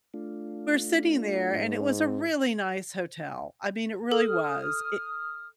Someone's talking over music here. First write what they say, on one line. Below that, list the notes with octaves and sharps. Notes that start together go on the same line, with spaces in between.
we're sitting there and it was a really nice hotel, I mean, it really was, it
A3 D4 F4
G#2
A4 D#6 F6